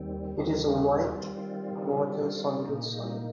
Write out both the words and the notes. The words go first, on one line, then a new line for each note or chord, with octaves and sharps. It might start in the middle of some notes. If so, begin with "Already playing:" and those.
It is a white, water-soluble solid.
Already playing: D#2 D#3 G3 C4
D#2 D#3 G3 C4
D#3 G3 C4 F4
D#3 G3 C4 F4
A#2 A#3 D#4